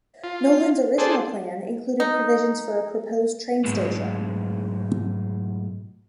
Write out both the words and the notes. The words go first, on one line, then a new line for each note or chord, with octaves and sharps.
Nolen's original plan included provisions for a proposed train station.
F4
D4 G#4 A4 C5
D#4
G#2 B2 F#3 G#3 A3